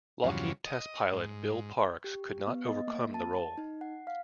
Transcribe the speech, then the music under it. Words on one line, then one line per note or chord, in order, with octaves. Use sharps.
Lockheed test pilot Bill Parks could not overcome the roll.
E2 G2 C#3 F3 F#3
D#5
G#2
G4
B3
D#5
A#3
A5
D#4
F#5
F5